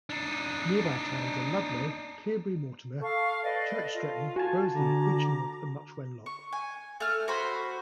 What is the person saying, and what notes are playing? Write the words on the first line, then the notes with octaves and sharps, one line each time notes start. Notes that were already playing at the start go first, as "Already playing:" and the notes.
Nearby towns are Ludlow, Cleobury Mortimer, Church Stretton, Broseley, Bridgnorth and Much Wenlock.
D4 D#4
A4 F5 C#6
B4 D5 D#5
F4
F#4 G#5 A5
D3 A#5 D6
C#6
G#5
A3 F6
F#4 C5 B5